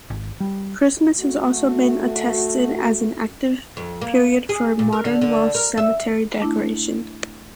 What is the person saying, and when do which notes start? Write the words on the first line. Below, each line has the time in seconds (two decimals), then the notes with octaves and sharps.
Christmas has also been attested as an active period for modern Welsh cemetery decoration.
0.10 G#1
0.40 G3
1.18 A3 F#4
3.77 F2
4.01 A#3
4.49 G#4
4.79 A#2
4.93 A#4
5.05 D3
5.22 D3
5.55 A#4
5.77 E5
6.41 A3 D4 E4